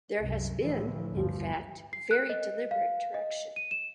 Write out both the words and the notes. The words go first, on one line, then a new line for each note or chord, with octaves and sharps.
There has been, in fact, very deliberate direction.
C2 F#2
A2 D3 E3 F3
G1 D#2 F3
C7
F#6
D#5
F5
D#5
D#7
E7